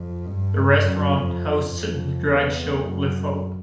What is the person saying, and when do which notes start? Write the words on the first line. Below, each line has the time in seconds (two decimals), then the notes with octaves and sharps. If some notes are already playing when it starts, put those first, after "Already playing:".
The restaurant hosts the drag show "Le Faux".
Already playing: F2
0.27 G2
0.84 F#2
1.13 F2
1.71 F2
2.28 E2
2.85 F#2